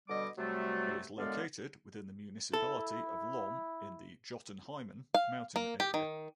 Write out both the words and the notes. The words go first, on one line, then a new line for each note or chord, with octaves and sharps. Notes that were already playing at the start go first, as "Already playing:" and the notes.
It is located within the municipality of Lom, in the Jotunheimen mountain area.
B2 D3 G3 D#5 D6
C3 F#3 G3 A3
F#2 D3 G#3 B3 D5 F5
E4 A4
F5
A#3
G4
D#3